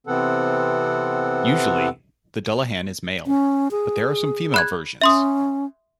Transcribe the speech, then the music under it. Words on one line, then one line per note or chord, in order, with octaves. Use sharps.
Usually, the Dullahan is male, but there are some female versions.
C3 E3 B3 C4 A4 F#5
C#4
G#4
B5 F#6 G#6
C#4 E5 C6 D#6